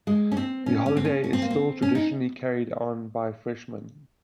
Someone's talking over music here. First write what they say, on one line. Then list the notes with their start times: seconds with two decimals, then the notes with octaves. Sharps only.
The holiday is still traditionally carried on by freshmen.
0.07 G#3
0.32 C#4
0.37 C4
0.66 C#4
0.86 C#4
0.97 C4
1.05 C#4
1.24 C#4
1.33 C4
1.42 A#3
1.50 C4
1.82 C#4
1.95 D#4